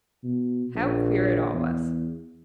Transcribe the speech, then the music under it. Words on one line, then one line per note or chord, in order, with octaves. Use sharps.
How queer it all was!
B2
A#1
E2